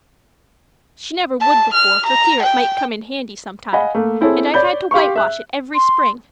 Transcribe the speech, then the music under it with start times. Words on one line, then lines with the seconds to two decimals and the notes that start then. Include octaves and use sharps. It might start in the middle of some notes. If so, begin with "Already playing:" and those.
She never would before for fear it might come in handy sometime and I've had to whitewash it every spring.
1.41 A5
1.74 F6
2.06 A#5
2.43 G5
3.73 D#5 F5 F#5 G#5 B5
3.95 A3 A#3
4.21 C4 E4 G#4 A4 C#5
4.54 C#5 D5 B5 G6
4.91 G4 F5 C6 C#6
5.16 E5 F#6
5.75 C6